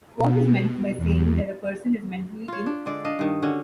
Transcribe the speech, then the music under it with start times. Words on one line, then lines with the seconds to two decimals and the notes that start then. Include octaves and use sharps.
What was meant by saying that a person is mentally ill?
0.18 B2
0.97 E2
2.48 F4 C#5
2.66 D4
2.86 D3 G#3 D5
3.04 D4 D#5 F5
3.19 G2 D#3
3.42 D3 C#4 F#4